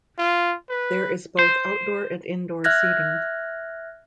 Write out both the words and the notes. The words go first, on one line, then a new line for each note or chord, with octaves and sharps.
There is both outdoor and indoor seating.
F4
B4
C5
E5 F6 F#6 G#6 A#6